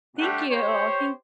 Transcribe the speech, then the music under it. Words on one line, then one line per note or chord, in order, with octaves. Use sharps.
Thank you. Thank
G3 A3 D4 F#5
G4 C5 C#5